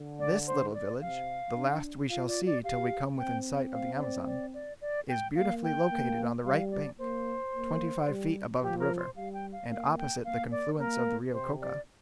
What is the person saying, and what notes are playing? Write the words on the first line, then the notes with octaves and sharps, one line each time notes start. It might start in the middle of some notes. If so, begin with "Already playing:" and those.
This little village, the last we shall see till we come within sight of the Amazon, is beautifully located on the right bank, twenty-five feet above the river, and opposite the confluence of the Rio Coca.
Already playing: D3
D5
C5
D5
C3 F5
D4
F4 F5
D5
D5
G4 F5
C4 G5
F5
D5
D5
D5
D5
G5
A#3 F5
G5
A#3
G3 F5
D5
A#3 C5
A#3
G3
F3 G4
A#4
C5
G3 F5
G5
F5
A#3 F5
G5
A#3 F5
D5
A#3 A#4
C3 C5
D5